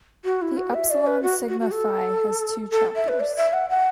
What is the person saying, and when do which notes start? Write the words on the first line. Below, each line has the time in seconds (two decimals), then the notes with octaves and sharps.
The Upsilon Sigma Phi has two chapters.
0.25 F#4
0.42 E4
0.57 F#4
0.73 E5
0.91 D5
1.07 B4
1.23 F#4
1.49 F#4
1.60 F#4
1.73 A4
2.71 A4
2.96 E5
3.08 B4
3.20 D5
3.37 E5
3.53 F#5
3.70 F#5